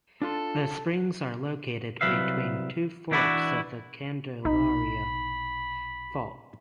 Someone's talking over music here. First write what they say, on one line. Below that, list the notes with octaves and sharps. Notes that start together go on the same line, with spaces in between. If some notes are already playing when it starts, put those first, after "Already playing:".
The springs are located between two forks of the Candelaria fault.
D4 F4 A4 C6
C2 F2 F#3 B4 E5 F5
E3 D4 E4 F#4 B4 D5
B1 C3 D#4 B5